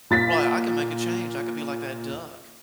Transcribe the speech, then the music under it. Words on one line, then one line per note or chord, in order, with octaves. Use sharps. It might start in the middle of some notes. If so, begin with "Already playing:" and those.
Right, I can make a change, I could be like that duck.
A#2 A6 B6